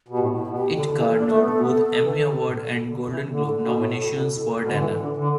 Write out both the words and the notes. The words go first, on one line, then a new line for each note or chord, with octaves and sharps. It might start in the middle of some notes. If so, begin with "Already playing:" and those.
It garnered both Emmy Award and Golden Globe nominations for Danner.
B2 G4
A2
E4
B2
G4
D3 A4
D3
E3
D4
A3
B3
B3
E3
D3
A2
B2
D3
E3
D3 A4
B2
A2
B2
A2
B2
D3
E3
D3
D3